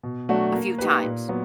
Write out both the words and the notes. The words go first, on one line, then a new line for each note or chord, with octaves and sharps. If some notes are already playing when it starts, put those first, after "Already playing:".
A few times.
B2
F#3 A3 D4 F#4
A#3
D#4 G4 B4
A#2
F#3 B3